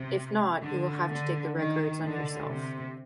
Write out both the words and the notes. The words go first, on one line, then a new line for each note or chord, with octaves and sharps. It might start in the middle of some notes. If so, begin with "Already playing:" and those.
If not, you'll have to take the records on yourself.
Already playing: C3
D3
D3
D#3
D3
C3